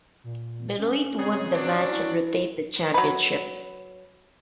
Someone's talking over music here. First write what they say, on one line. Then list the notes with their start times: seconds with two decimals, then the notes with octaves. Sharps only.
Benoit won the match and retained the championship.
0.24 A#2
0.78 C#4
1.19 C#3 C4 C#4 G#4
1.53 F#3 C#4 D4
1.88 E4
2.94 F#3 B4